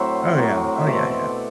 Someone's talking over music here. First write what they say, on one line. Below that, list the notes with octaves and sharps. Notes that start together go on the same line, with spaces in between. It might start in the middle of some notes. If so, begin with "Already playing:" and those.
Oh, yeah. Oh, yeah, yeah.
Already playing: A2 F#3 A3 C4 C5 E5 F#5
A2 F#3 C4
E5
B2 A3 C4 D5 F#5